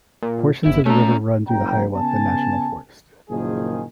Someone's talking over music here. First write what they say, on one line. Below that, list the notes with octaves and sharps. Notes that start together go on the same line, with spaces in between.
Portions of the river run through the Hiawatha National Forest.
A#2
G1 E4
A3 C#4 A#5
F#1 G5 A#5
C#3 B3 G#5 A5
F#1 A#2 D#3 F3 G#4